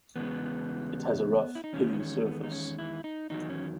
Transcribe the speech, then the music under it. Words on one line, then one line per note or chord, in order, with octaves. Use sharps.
It has a rough hilly surface.
E2 C#3 G#3 B3
E4
D#4
E2 D#3 G#3 C#4
B3
C#4
B3
D#4
C#4
E4
D#4
E2 D#3 F#3 D#4
C#4